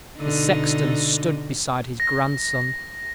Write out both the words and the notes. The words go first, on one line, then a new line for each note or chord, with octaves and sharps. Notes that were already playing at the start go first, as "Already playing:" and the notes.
The sexton stood beside his grandson.
B2 D3 D#4
A#6